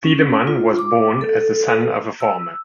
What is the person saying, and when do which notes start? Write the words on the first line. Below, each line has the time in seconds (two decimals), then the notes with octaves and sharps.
Thiedemann was born as the son of a farmer.
0.04 C#4
0.47 F4
0.79 D6
1.21 A4
2.20 E6